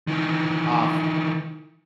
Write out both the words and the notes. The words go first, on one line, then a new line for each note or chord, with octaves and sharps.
uh, f f
D#3 E3